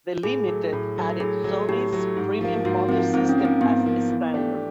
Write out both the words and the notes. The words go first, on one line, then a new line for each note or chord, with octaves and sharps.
The Limited added Sony's Premium Audio System as a standard.
A2 G#4
F#3 A3
A2
F#3 A3
A2 G#4
F#3 A3
A2 G4
F#3 A3
G#2
F3 A#3
G#2 F#4
F3 A#3 C4
G#2 C4
C#4
F3 A#3
C4
G#2 B3
F3 A#3
E3
A3 D4 G4